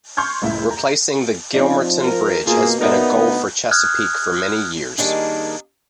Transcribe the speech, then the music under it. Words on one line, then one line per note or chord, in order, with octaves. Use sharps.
Replacing the Gilmerton Bridge has been a goal for Chesapeake for many years.
C6 C#6 F6 G6 G#6
F#1 C#2 A2 E4 E5
A#5
F3 C4 D#4 D5
A#4
B2 A#3 F4 G#4
B3 D#4 A#4 D5 E5
D2
D#6 F6 F#6 G#6
D#3 G3 A#3 D4 D#4 G#4